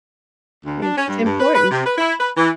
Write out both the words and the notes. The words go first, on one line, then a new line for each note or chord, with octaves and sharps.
It's important
D2
D4
C#4
G2
G2
B4
B4
C3
B4
E4
B4
E3